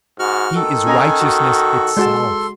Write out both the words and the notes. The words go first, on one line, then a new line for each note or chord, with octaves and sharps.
He is righteousness itself.
G#2 F#4 F6
D#3 A4
C#4 D#5 G#5 A#5
F#4
G#3 F#4 A5 C6